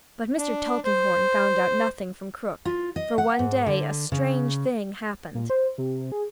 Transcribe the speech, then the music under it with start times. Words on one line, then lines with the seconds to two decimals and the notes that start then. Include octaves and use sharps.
But Mr. Tulkinghorn found out nothing from Krook, for one day a strange thing happened.
0.38 D4
0.85 C5
2.65 F4
2.96 D#5
3.18 F#5
3.39 G#2
3.66 D3
4.12 C#3
5.35 A#2
5.50 C5
5.78 C3
6.12 G#4